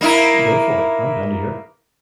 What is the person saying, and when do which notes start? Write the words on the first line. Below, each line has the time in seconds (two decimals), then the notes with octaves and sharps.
Go for it, I'm down to hear it.
0.01 A#3 D#4 E4